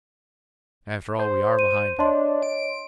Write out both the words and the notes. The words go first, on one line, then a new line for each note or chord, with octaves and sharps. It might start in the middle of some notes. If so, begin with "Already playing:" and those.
After all, we are behind him.
C5
D#7
D4 C#5 D#5 C6
D7